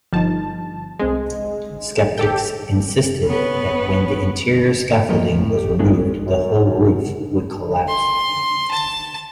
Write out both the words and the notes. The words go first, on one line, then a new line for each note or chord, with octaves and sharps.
Skeptics insisted that when the interior scaffolding was removed, the whole roof would collapse.
G1 F3 D#4 A5
C2 G#3 C4 G#4
G4 A4 G5
B3 C#4 B4
E3 F3 A3 A#3 A#4 D#5
A2
G4
F#3 G#3 B3 D4 E4 G#4
C#4
F#2
C6
A5